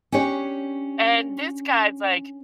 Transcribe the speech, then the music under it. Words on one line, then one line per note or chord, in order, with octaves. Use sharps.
and this guy's, like,
C#4 D4 G4 C#5